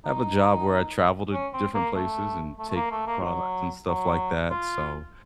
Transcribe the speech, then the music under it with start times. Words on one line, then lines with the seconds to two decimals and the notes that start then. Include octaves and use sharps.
I have a job where I travel to different places and take products and stuff like that. So,
0.05 D#4
1.32 C#4
1.53 C4
1.75 A#3
1.96 A3
2.59 A3
2.69 A3
2.75 A#3
2.91 A3
3.07 A#3
3.24 F#3
3.87 F#3
4.50 F4